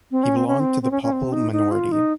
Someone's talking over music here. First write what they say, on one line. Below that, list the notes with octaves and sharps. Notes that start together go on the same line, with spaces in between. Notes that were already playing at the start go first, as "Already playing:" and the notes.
He belonged to the Papel minority.
C4
C#4
C4
C#4
C4
C4
C#4
C#4
C4
D#4
D#4
F4
D#4